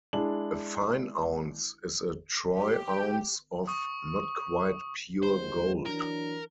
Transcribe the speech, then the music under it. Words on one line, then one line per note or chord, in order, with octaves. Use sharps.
A fine ounce is a Troy ounce of not quite pure gold.
G#3 D4 E4 F#7
G4
G5
C#6 D#6
G1 D#2 G#2 C5
E3 F#3 D4 A#4